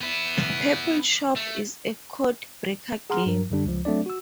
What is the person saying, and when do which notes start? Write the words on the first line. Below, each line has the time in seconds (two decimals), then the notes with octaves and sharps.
Purble Shop is a code-breaker game.
0.01 B3 E4
1.36 A3
3.10 G#4 F#5 A#5 C6 F6
3.26 G2 A#4
3.50 F#2 D3 G3 D4
3.65 C#2 F3
3.85 F#3 A3 C4 D4 D5
4.06 F#4 E6